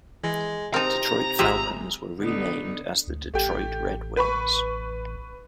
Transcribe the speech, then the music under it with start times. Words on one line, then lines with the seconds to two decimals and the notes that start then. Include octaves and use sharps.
Detroit Falcons were renamed as the Detroit Red Wings.
0.24 E3 G#3
0.74 C3 C4 D#4 A#4 A5 A#5
1.39 G#1 G#3 F4 G4 G#4 E5
2.18 D3 B3 D#4
3.07 D2
3.34 A1 A3 G4
4.17 B4 B5 C#6